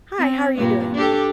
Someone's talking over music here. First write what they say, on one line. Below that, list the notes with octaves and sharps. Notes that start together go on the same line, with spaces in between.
Hi. How are you doing?
C4
G2 A#2 D4
D4 G4 A4